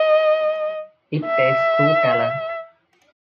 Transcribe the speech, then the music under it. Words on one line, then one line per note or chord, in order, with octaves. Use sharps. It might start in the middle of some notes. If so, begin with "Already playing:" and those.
It takes true talent.
Already playing: D#5
E5